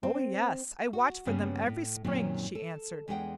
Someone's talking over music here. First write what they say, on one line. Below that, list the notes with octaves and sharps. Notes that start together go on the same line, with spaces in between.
"Oh, yes; I watch for them every spring," she answered.
C4
F#4
G2 C#3 G3 A#3 B3 C#4
A2
F#2 A#2 D#3 F#3 C4 C#4
A4
E2 G#3 D4 A4 F#5 G5